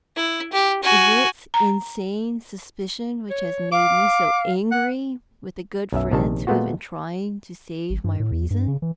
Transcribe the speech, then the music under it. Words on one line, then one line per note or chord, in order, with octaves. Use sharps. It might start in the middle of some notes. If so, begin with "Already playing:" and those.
Is it insane suspicion which has made me so angry with the good friends who have been trying to save my reason?
E4
G4
F#4 G#5
A#5
C#5
F5 D6
F#5
B1 F#2 E5
A#1 C3 D#3 A5
A#2 G#3 A3 B3 F4 F#4
G#1
G2
A2
E2
G2
C#3
E3